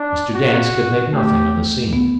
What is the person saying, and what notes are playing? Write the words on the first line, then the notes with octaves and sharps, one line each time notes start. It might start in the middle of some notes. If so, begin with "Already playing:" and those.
Mr. Dance could make nothing of the scene.
Already playing: D4
C4 F#4
A3 G4
B3